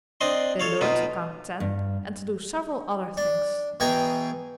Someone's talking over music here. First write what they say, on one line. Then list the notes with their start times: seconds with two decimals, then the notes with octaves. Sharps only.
They learned to count ten and to do several other things.
0.21 C4 D4 D#5 C6
0.60 A4 C#5 F5
0.81 B2 D#4 F4
1.60 G2
3.17 D4
3.80 B2 E3 G#4 G5 G#5 A#5